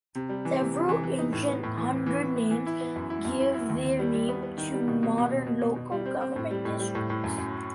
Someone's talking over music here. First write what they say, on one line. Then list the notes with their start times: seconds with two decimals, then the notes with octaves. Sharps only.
Several ancient hundred names give their name to modern local government districts.
0.15 C3
0.29 G3
0.45 E3
0.60 C3
0.74 C3
0.89 E3
1.04 E3
1.19 D#4
1.33 A2
1.48 B3
1.63 A2
1.78 E3
1.92 E3
2.06 E3
2.22 E3
2.36 B3
2.51 E3
2.66 E4
2.81 B3
2.96 F#2
3.10 E4
3.25 F#2
3.41 E4
3.54 E4
3.69 D#2
3.85 D#2
3.99 G3
4.13 G3
4.29 B3
4.43 B3
4.58 D#3
4.73 G3
4.88 B2
5.03 B2
5.18 B2
5.32 B2
5.46 B2
5.61 B2
5.76 B2
5.92 G3
6.06 C4
6.21 C4
6.36 A2
6.51 G3
6.65 A2
6.80 G3
6.95 A2
7.10 A2
7.24 F#2
7.38 F#2